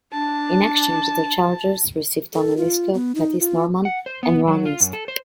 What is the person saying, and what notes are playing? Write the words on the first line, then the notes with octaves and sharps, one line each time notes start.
In exchange, the Chargers received Tony Liscio, Pettis Norman, and Ron East.
D4 A5
A4
F4
B3
D#4
F4
F#5
C5
B3
F#3
F4
F#2
A4
C5